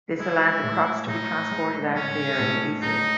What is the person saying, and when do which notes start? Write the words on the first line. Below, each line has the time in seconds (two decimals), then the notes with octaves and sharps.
This allowed crops to be transported out of the area easily.
0.19 G#3 E4
0.63 A2
1.07 A2 D#4
1.51 G#3
1.95 G#3 C#4
2.39 A2
2.82 A2 D#4